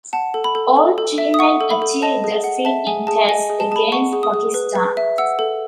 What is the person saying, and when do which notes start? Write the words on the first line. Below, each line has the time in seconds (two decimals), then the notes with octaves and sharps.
All three men achieved the feat in Tests against Pakistan.
0.13 F#5 A5
0.34 A4
0.44 B5
0.55 A4
0.76 A4
0.98 A4
1.18 E5
1.34 D#6
1.39 F#5 C#6
1.61 A4
1.71 B5
1.82 A4
2.02 D#5 A5
2.24 G#4
2.44 F#5
2.65 E5 A5
2.87 G#4 G#5
3.07 G#4 A5
3.29 D#5 G#5
3.50 G#4
3.60 A5
3.71 G#4 A5
3.76 B5
3.92 F#5 C#6
4.13 G#4
4.23 D#6
4.34 G#4
4.54 B4
4.75 B4
4.97 E5
5.18 F#5 E6
5.39 A4